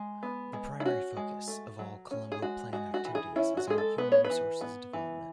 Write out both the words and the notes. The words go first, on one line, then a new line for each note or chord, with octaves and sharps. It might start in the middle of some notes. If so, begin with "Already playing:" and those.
The primary focus of all Colombo Plan activities is on human resources development.
Already playing: G#3
B3
G#3
E4
C#4 F#4
G#3
A3
F#3
C#4
G#4
G#3 F#4
G#3 F#4
F#4
E3
G#4
C#4 E4
F#4
G#3 G#4
A4
B3 B4
C#5
B4
E3
B3
E3